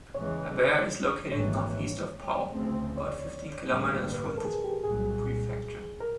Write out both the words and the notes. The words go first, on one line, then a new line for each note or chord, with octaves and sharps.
Abère is located northeast of Pau, about fifteen kilometers from this prefecture.
E2 C#3 E3 G#3 C#5
G#1 G#2 E3 G3 A#3 C#5
D2 C#3 F3 A3 C4
C#5
D5
A1 G2 D3 G3 A#3
B4
A#4
A4
G#4
G4
C2 A#2 F#3 G#4
A#4